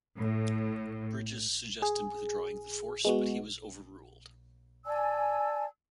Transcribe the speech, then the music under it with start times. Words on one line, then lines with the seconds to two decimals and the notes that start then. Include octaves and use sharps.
Bridges suggested withdrawing the force, but he was over-ruled.
0.19 A2
1.82 G#4
3.05 G#3 B3 F#4
4.86 D5 G#5 A5 E6